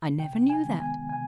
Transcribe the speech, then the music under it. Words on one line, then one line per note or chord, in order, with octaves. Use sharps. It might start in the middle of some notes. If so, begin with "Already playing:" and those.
I never knew that.
C3 G5
G#5
D#3 G#3 B3
G#5
C3 G#5